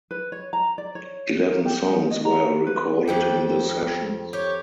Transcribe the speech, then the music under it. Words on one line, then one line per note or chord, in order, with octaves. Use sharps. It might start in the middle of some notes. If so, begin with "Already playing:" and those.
Eleven songs were recorded in the sessions.
B4
C#5
A#5
D5
C#5
A#4
G4
D#5
A#5
B4
F2 F3 G4 G5
G4 C#5